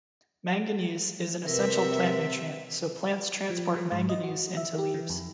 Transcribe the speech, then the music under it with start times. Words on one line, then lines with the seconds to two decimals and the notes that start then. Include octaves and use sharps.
Manganese is an essential plant nutrient, so plants transport Mn into leaves.
1.47 C3 A#4 B4 E5
3.50 F3
3.76 F3
3.92 G#2
4.09 D#5
4.24 F#4
4.57 E5
4.78 G4
4.94 E3
5.10 F2